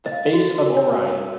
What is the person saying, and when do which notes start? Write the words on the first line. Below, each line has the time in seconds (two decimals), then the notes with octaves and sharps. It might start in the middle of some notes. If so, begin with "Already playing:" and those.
The face of Orion.
0.06 D#5
0.12 F5
0.33 F#4
0.55 F#4
0.66 A#4
0.77 C#5
0.93 B4
1.10 A#4